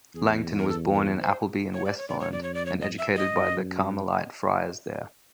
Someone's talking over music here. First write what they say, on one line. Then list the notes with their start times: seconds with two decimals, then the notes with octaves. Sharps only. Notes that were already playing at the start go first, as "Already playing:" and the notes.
Langton was born in Appleby-in-Westmorland, and educated by the Carmelite friars there.
0.15 E2 G#4
0.59 A#4
0.68 A4
0.94 A#4
1.21 C5
1.74 C#5
1.85 D5
1.97 C#5
2.08 D5
2.20 C#5
2.27 F2
2.32 D5
2.43 C#5
2.54 D5
2.66 C#5
2.81 D#5
2.98 E5
3.17 D#5
3.33 F#2